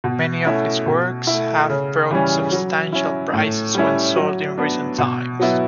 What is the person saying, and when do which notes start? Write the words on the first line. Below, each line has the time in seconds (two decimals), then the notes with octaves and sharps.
Many of his works have brought substantial prices when sold in recent times.
0.04 B2
0.45 A3 C#4 E4
0.86 B2
1.27 A3 E4
1.70 C#3
2.11 E3 G3 C#4
2.52 F#3
2.93 C#4 E4
3.33 A2
3.75 G3 C#4 E4
4.16 F#3
4.58 B3 D4
4.98 B2
5.40 F#3 B3 E4